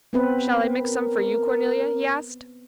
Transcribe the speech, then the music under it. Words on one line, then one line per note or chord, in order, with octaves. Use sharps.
"Shall I mix some for you, Cornelia?" he asked.
B3 C4 B4
A#4